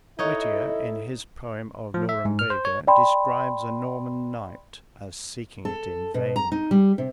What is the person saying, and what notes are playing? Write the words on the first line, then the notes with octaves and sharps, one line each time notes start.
Whittier in his poem of "Norumbega" describes a Norman knight as seeking it in vain.
D#4 E4 A4 C#5 D#5 F#5
F3
E5
G#2
F6
C5
C#5
D5 G5 B5 C6
A4
B2
A#5
D#4
G3
C3